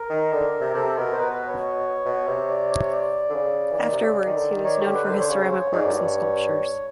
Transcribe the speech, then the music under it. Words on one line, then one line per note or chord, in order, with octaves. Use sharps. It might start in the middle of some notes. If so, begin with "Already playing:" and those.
Afterwards, he was known for his ceramic works and sculptures.
Already playing: A#4
D#3
D3
C3
C3 A4
B2 A#4
C5
B2 B4
B4
C#5
B2
C3
D5
C#5
D5
D3
C#3
E3
D#3
C3
C#3
D#3
D3
D#3
D#3 C#5
D3 G4
D3 B4
D#3
D3 C5
C#5
C#3 C#5
C5
C#5
G#2 D5
F#2
G2 C#5